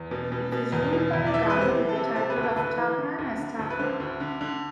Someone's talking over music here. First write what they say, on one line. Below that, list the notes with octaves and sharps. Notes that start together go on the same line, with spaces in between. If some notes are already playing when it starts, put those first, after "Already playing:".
It was ruled by a governor with the title of Tarkhan As-Tarkhan.
Already playing: E2
B2
B2
B2
E2
B2
E2
D5
E3 E5
C3 B4
C5
E3
A4
C3
C3 C5
B4
D2
A4
D2 B4
E3
D3
D2
D3
D2
B4
D3 C5
D2
D3
D3